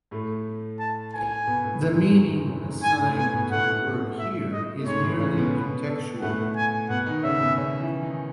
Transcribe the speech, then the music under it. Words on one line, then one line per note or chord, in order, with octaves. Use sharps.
The meaning assigned to the word here is merely contextual.
A2 A3
A5
G#5
B2 B3
A2 A3
G#2 G#3
F#2 F#3
D#3
E3
F#2 F#3
G#2 G#3
G#2 G#3 G#5
A2 A3
B2 B3 G#5
B2 B3
A2 A3 F#5
E5
D#5
A3
G#2 G#3 C#5
G#3
A2 A3
C#3 C#4
B2 B3
B4
A4
A2 A3 F#5
G#5
B2 B3 F#5
D#3 D#4
C#3 C#4 E5
B2 B3
C#3 C#4
E3 E4
D#3 D#4